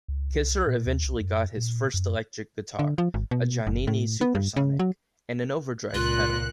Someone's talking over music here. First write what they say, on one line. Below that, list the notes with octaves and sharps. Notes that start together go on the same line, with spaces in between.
Kisser eventually got his first electric guitar, a Giannini-Supersonic, and an overdrive pedal.
C#2
C2
A#2
D#2
C2
F#2
A#2
F#2
D3
F3
G#1
B2
F#1
A2
B3
G2
C#3
F#3
C#2 A#2 F4 F#6